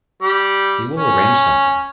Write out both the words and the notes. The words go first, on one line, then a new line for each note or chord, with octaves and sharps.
We will arrange something.
G3
C#4